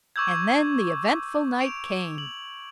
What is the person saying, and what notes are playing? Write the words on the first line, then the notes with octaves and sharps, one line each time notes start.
And then the eventful night came.
C#6 D6 E6 G6 G#6
D7 E7 F7
F#7